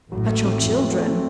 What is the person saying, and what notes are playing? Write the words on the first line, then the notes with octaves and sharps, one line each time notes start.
"But your children?"
A1 A2 F#3
A3
C4
F2 E4
F#3
A3
C4